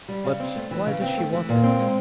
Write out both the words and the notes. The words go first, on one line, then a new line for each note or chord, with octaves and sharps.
"But why does she want them?"
G3
C#3
C4
A3
E3
C#3
C4
A3
E3
A#2
C4
G#3